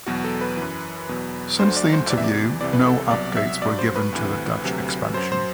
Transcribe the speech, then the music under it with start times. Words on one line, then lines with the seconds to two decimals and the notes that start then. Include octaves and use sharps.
Since the interview no updates were given to the Dutch expansion.
0.06 E2 B2 F#3 F#4
0.24 A4
0.41 B4
0.57 F#2 E3
1.09 E2 B2 F#3
1.59 D2 D3 F#3 C5
1.77 D5
1.93 C5
2.10 E2 C3 E3 D5
2.18 E5
2.24 D5
2.60 C2 C3 E3 D5
2.73 B4
2.87 A4
3.11 C2 B2 F#3 D5
3.37 E5
3.62 G2 F#3 D5
3.79 C5
3.96 B4
4.12 D2 C3 E3
4.64 D2 C3 F#3
5.14 F#2 F#3 C5
5.32 C5